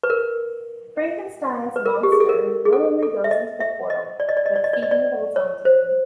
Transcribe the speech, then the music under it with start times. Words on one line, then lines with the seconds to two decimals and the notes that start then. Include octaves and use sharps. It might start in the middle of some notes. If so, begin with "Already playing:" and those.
Frankenstein's monster willingly goes into the portal, but Phoebe holds onto him.
0.03 B4
0.10 A#4
1.76 B4
1.86 A#4
2.03 G4
2.12 G#4
2.20 A4
2.29 A#4
2.65 G#4
2.73 A4
3.03 A4
3.24 E5
3.31 D#5
3.61 E5
3.90 D#5
4.20 D5
4.29 D#5
4.37 D5
4.46 D#5
4.56 D5
4.64 D#5
4.73 D5
4.83 D#5
4.91 D5
5.36 C#5
5.65 C5